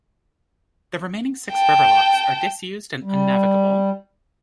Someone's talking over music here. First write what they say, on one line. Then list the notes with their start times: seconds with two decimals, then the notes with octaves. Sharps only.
The remaining six river locks are disused and unnavigable.
1.52 G5 A5
3.03 G3